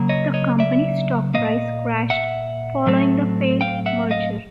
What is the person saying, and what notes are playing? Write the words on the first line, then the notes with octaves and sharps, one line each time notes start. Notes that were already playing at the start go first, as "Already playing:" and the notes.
The company's stock price crashed following the failed merger.
Already playing: C#3 F#3 A#3
C#5 D#5
C#5 D#5
D5 E5
A#2 F#3 A#3 D#5 F5
E5 F#5
A2 F#3 A3 C4
F5 G5
E5 F#5
D#5 F5